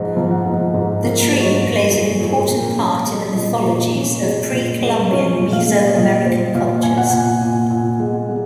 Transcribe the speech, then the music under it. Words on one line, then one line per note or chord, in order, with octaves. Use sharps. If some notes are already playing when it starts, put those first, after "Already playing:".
The tree plays an important part in the mythologies of pre-Columbian Mesoamerican cultures.
Already playing: G#2 F3 A#5
F3
F#5
G#2
G#2
A#3 A#4
G#2 C5
C#5
C5
G#2 C5
G#2 G#4
G#2 G#4
A#4
G#4
A#2 A#4
C#4
G#3
A#2 D#5
A#2
C#4
G#3
A#2
G#3
C#4 C#5
A#2
F5
G#3
A#2 D#5
A#2 C5
A#2 F5
A#2 G#5
F#5
A#2 G#5
G#5
A#2
A#2 G#5
G#3 F#5
G#3